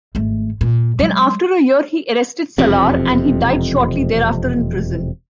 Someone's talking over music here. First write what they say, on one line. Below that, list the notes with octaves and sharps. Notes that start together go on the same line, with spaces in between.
Then after a year he arrested Salar and he died shortly thereafter in prison.
G#1 A3
A#2
F#3 G#3
E1 F2 C3